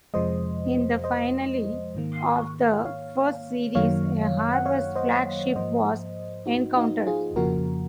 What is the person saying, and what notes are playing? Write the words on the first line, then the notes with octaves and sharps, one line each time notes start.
In the finale of the first series, a harvest flagship was encountered.
F2 C3 F3 G#3 C5 D#5
C5 D#5
G#2 D#3 A#3
C#5 F5
F#2 D#3 F#3 A#3 C#5 F5
F#5
C#5 F5
C5 D#5
G#2 F3 A#3 C5 D#5
D#4 F#4
D#4 F#4
F4 G#4
F2 C#3 F3 A#3 F#4 A#4